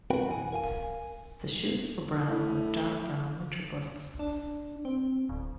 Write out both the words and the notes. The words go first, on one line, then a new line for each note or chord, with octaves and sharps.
The shoots are brown, with dark brown winter buds.
C4 F#4 A#4 B4 F#5 G5
B1 F#2 E3 F#5 G#5
A#4 F5 G#5
A2
D4
C4
D1